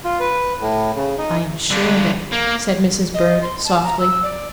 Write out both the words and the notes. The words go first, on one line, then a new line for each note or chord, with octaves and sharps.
"I am sure of it," said Mrs. Bird, softly.
F4
B4
A2
C#3
D#4
G2 D3
A#3
D#5
C6
A5
A#5
E6
D5